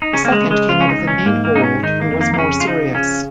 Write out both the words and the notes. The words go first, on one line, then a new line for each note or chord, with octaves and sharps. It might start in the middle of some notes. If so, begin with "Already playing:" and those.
The second came out of the main hold and was more serious.
D#4
C#3 C#4
A#3
G#3
C#3
G#3
C#2 F4
C#4
D#4
C#2
C#4
G#2 A#3
A#3
G#2 D#4
C#4
D#3 D#4
A#3
F2
A#3
A#3
C#3 C#4
F4
F3 D#4
C#3 C#4